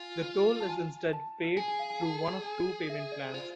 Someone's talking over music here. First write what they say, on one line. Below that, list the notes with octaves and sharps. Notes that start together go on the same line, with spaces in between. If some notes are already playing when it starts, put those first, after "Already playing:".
The toll is instead paid through one of two payment plans.
Already playing: F4 G#5
A5
G#5
A5
G#4 G#5
G#5
F5
G#5
A5
G#5
E5
D5
F4 C5